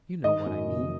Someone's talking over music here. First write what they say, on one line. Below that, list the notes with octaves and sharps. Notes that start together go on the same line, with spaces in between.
You know what I mean.
D#3 D#5
F#2
F#1